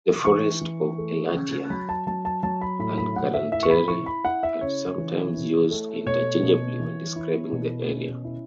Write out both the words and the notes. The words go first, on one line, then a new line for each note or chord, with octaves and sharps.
The Forest of Elatia and Karantere are sometimes used interchangeably when describing the area.
E3 C#6
E3
A3
C#3
F#3 B5
A5
F#3 A5
A5
F#3 A5
B5
A2 B5
B5
A2 F#5
E5
E4 E5
C#6
B5
E4 C#6
B5
E4 F#5
E5
C#3 C#5
E3
E4
A3
B2 C#5
B2
E3
E4
B2
C#4
E4